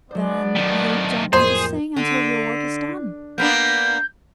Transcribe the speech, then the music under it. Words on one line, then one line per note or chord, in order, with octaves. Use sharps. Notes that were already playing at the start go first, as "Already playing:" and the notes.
"Then you don't want to sing until your work is done?"
F#3 B3 D4 C5 D5
D#3 A3
C4 A#6 D#7
F2 A2 A#3 G#4 C5
D3
A#3 B3 D4 G6